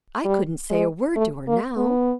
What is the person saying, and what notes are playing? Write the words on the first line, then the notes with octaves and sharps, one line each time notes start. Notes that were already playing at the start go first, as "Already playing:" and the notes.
"I couldn't say a word to her now."
G3
G#3
A3
A#3
B3